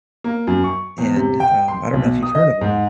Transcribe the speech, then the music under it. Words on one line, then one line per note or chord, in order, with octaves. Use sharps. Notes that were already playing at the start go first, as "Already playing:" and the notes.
and, um I don't know if you've heard of him.
A#3
F#2
C#6
E2
C3
G5
C6
B1
D#6
D#5
G#2